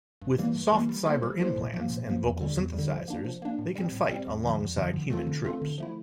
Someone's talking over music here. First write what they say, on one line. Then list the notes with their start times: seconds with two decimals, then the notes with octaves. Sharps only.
With soft-cyber implants and vocal synthesizers they can fight alongside human troops.
0.22 G2
0.38 E3 G3 A#3
0.55 G2
0.72 E3 G3 A#3
0.89 G3
1.06 A#3 E4 A4 C5
1.23 G3
1.39 A#3 E4 A4 C5
1.56 A#2
1.74 F3 A#3
1.90 A#2
2.07 F3 A#3
2.23 E2
2.41 D3 G3
2.57 E2
2.74 D3 G3
2.91 F3
3.08 A#3 D4
3.25 F3
3.42 A#3 D4
3.59 A2
3.75 G3 C4
3.92 A2
4.09 G3 C4
4.27 E2
4.43 D3 F3
4.60 E2
4.77 D3 F3
4.94 D3
5.10 A3 C4 F4 A4
5.27 D3
5.45 A3 C4 F4 A4
5.62 D3
5.78 F3 A3 E4